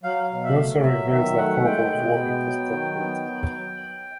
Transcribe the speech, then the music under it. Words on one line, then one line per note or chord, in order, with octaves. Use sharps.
He also reveals that Koval was working for Starfleet.
F#3 F5
F5
B2
E5
A3
F#3 E5
D#3 E5
A3 F#5
G#3 G5
B2
B3
F#3
D#3
B3
F#3